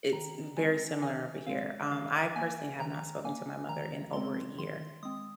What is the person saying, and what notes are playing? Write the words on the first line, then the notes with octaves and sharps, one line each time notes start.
it's very similar over here. Um, I personally have not spoken to my mother in over a year.
D#3 A#5
G#3 C4 G#5
D#3 G#5
G#3 C4 F5
D#3 F5
A#3 G#5
D#3 A#5
A#3 G#5
D#3 A#5
G#3 C4 C6
D#3 C6
G#3 C4 D#6